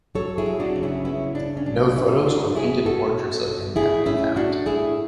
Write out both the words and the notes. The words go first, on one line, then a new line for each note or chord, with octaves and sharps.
No photos or painted portraits of him have been found.
F#3 A4 C#5
E4 G#4
F#3
D4 F#4
C#3
C#4 E4
B3 C#4 E4
C#3 D4
C#4
F#3 D4
B2 C#4 E4
F#3 D4 F#4
B2 E4 G#4
B3 F#4 A4
B2
B2
A2 E4 G#4
A2 C#4 E4
A2 D4 F#4
A2 E4 G#4